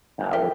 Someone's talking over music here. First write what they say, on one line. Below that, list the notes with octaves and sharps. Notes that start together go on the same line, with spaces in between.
uh, when
A#4 E5 G5